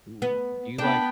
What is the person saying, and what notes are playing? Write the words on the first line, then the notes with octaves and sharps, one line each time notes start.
Ooh, do you like
B3
B3 D4 G5